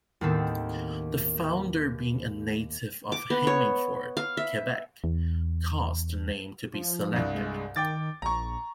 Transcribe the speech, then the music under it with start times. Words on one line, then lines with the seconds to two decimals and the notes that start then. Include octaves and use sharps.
The founder being a native of Hemmingford, Quebec, caused the name to be selected.
0.21 D#2 A2 D#3 B3 C4 A4
3.12 D6
3.30 B3
3.47 C#5
4.17 F5
4.37 E5
5.04 E2
6.74 F3
7.12 C2 G2
7.35 G#3
7.76 D#3 G5 D6 A6
8.22 A#1 A#5 C#6